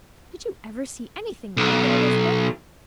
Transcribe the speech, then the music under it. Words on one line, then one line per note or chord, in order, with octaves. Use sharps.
"Did you ever see anything like it, Elizabeth?"
B1